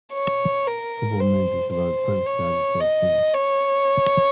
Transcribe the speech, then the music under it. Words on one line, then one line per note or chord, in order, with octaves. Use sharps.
Football managers devise the perfect strategy for their team.
C#5
A#4
C5
C5
C#5
D#5
C#5